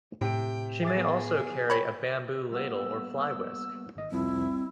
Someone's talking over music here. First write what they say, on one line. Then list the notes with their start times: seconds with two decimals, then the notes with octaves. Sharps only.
She may also carry a bamboo ladle or fly-whisk.
0.21 A2 C3 G5 D7
0.82 G#4 E5 D6 A6
0.97 B3
1.70 C4 C#5 B5
2.51 G3 A#3 B3 E6
3.96 G#1 D#5
4.11 C2 F2 F3 G3 C4 E4